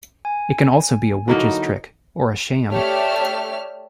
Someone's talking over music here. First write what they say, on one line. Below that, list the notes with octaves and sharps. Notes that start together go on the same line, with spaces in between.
It can also be a witch's trick, or a sham.
G#5
D3 F#3 A#3 D#4 E4
A3 G4 C#5 D5 E5 F6